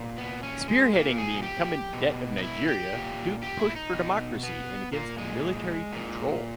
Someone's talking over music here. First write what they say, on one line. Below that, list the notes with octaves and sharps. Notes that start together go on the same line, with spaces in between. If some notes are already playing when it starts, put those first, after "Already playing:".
Spearheading the incumbent debt of Nigeria, Duke pushed for democracy and against military control.
Already playing: A#2
B3
C#4
G#3
A#2 A#3
G#4
G4
B2
D#4
E4
G4
A#2
G4
E4
D#4
B2
B3
A#2 A#3
G#3
A#2